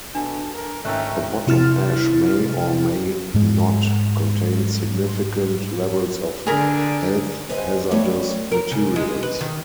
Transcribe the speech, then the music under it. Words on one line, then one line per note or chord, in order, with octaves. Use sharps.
The bottom ash may or may not contain significant levels of health hazardous materials.
B2 D4 A4
A#4
G#1 A3 C#4 D#4 E5 G5 F#6
C3 E4 F6 A6
G#2 G#3
D3 G#4 A#4
B4 C5 D#5 F#5 G#5
G3 A3 B3 G4 C#5
A#4
C#3
G#3
B4
D#3